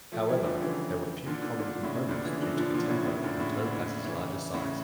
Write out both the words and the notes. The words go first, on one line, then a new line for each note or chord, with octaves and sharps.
However, there were few common components due to the Tempo and Topaz's larger size.
F3 A3
E3 G3
D3 F3
C#3 E3
A#2 D3
A#2 D3
A#2 D3
A2 C#3
A#2 D3
C#3 E3
D3 F3
D3 F3
A#2 D3
A2 C#3
A2 C#3
A#2 D3
A2 C#3
A#2 D3
C#3 E3
A2 C#3